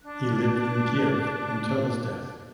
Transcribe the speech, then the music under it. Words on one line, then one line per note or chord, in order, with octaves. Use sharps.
He lived in Kyiv until his death.
D4 F#6